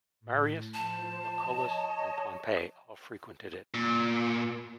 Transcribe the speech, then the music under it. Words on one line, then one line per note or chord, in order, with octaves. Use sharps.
Marius, Lucullus, and Pompey all frequented it.
A2
F3 C5 A5
C#5 D#5
A#2